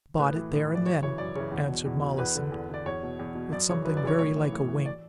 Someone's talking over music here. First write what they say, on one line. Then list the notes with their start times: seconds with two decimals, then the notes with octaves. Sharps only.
"Bought it there and then," answered Mollison, with something very like a wink.
0.18 A2 B4
0.35 E3
0.52 A2
0.68 E3
0.75 D5
0.86 F#2 C#5
1.02 C#3 E3 C#5
1.18 F#2 D5
1.35 C#3 E3 C#5
1.52 E2
1.68 B2
1.85 E2
2.02 B2
2.18 E2 B4
2.35 D3
2.52 E2
2.69 D3 D5
2.86 E2 C#5
3.03 B2
3.19 E2
3.35 B2
3.52 F#2 D5
3.69 C#3 E3 C#5
3.85 F#2 B4
3.97 D5
4.02 C#3 E3 C#5
4.19 A2 C#5
4.36 E3
4.52 A2
4.68 E3
4.86 D5